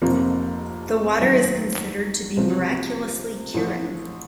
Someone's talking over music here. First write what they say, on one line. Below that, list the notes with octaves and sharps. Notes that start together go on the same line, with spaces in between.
The water is considered to be miraculously curing.
F1 F2 C3 F3 A#3
D#2 D#3 F#3 A3
C#2 C3 F3
A1 A2 F3